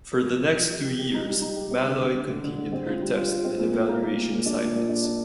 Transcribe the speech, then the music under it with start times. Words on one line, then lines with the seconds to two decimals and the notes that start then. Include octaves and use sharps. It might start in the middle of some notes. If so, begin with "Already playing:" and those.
For the next two years, "Maloy" continued her test and evaluation assignments.
0.12 A#4
0.27 F3
0.41 A#4
0.56 F3
0.70 G4
0.85 G4
0.99 G4
1.14 D#4
1.27 G3
1.42 D#4
1.56 G4
1.71 C4
1.86 D3
2.00 D3
2.14 D3
2.29 D3
2.44 D3
2.58 D3
2.72 C4
2.87 F4
3.02 G3
3.16 F4
3.30 F4
3.44 C4
3.60 A#2
3.73 A#2
3.89 A#3
4.03 A#3
4.17 A#2
4.31 A#2
4.46 D4
4.60 A#2
4.75 A#2
4.89 D4
5.04 D4